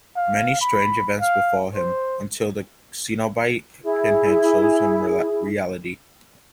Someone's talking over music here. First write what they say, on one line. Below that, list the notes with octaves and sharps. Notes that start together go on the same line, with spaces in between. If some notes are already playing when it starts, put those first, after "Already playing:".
Many strange events befall him, until the Cenobite Pinhead shows him reality.
F5
B5
F5
C5
E4 G#4